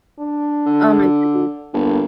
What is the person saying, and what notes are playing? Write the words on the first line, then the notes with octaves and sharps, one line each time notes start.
Oh my goodness.
D4
D3
G1 A#3